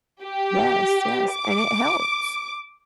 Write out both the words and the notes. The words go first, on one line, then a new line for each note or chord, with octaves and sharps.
Yes, yes, and it helps.
G4
D6